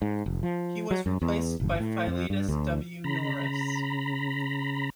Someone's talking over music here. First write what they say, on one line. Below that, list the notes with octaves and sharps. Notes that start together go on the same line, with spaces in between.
He was replaced by Philetus W. Norris.
G#2
F1
F3
F#3
F#2
E2
G1
A2
F2
G2
D2
C#3 A#5 B5